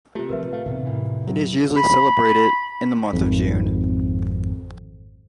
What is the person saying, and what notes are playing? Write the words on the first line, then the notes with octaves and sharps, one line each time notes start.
It is usually celebrated in the month of June.
C3 A3 F4 G4
A2 F3 E4 F4 A#4 B4 E5
A3 F5
B1 E2 A2 C3 D#3
F1 E3
F#3
B5
G#1 F2